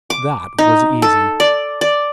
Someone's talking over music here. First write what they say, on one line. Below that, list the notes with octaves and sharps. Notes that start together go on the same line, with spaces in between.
That was easy.
D6
D#4
A4
D5
D5